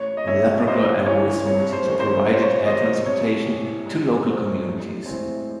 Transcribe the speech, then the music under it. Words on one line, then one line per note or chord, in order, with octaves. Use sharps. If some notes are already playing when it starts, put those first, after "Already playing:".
Labrador Airways Limited provided air transportation to local communities.
Already playing: A1 C#5
D#5
G#2 F#3 C#4 C#5 E5
C#2 C5 D#5
C#3 E3 C#5
C2 C#5
C5
C3 D#3 A3 C#4
C5
C#2 C#5
C5
C#5
C3 D#3 C5 D#5
C2 C#5
C3 E3
G#2
F#3 A3 C4
A1
A2 G#3 C4